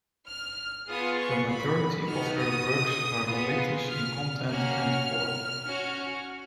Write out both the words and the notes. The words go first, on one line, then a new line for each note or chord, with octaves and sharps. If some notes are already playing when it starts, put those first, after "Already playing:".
The majority of her works are religious in content and form.
F6
B3 F4 G#4 D#6
C#6
B5
B3 D#4 F#4 F6
D#6
B3 F4 G#4
F6
A#3 C#4 F#4 F6
C#4 F#4